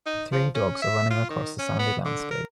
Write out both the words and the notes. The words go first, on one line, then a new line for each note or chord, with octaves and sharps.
Three dogs are running across a sandy landscape.
D#4
F3
C#4
E5
F4
D#3
C#4
B3
D3
A#4